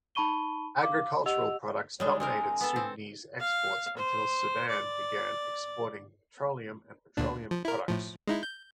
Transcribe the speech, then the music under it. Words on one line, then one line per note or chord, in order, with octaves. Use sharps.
Agricultural products dominated Sudanese exports until Sudan began to export petroleum and petroleum products.
D#4 A5 B5 C#6 D#7 G7
F5 D6
G4 D#5 F#5 E6 F7
G3 G#3 D4 C#5
G#3 C4 A#4 G#5
B3 A4
C4
F5
C5
D5
D2 A#2 D4
F3
E4 A#4
A2 F3
G#3 D#4 E4
G6